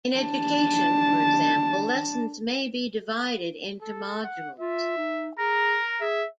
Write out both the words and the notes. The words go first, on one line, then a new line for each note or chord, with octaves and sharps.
In education, for example, lessons may be divided into modules.
D4 A5
A4
F#5
F4 E5
D#4
G#4 A#4 A#5
G#4 E5